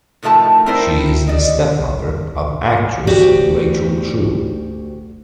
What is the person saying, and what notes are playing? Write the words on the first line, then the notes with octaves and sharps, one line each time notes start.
She is the stepmother of actress Rachel True.
A2 D#3 F3 A3 A5
C4 D#4 E4 A#4 C5 D5
D5 D#5
D2 F#4 G4 D5